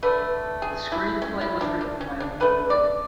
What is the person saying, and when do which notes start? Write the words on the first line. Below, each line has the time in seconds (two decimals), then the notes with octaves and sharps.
The screenplay was written by Leo Gordon.
0.03 D3 A3 B4
0.62 G#4
0.92 E4
1.22 C#4
1.41 E4
1.61 D4
1.81 D4
2.01 C#4
2.20 D4
2.40 D3 A3 B4
2.70 D5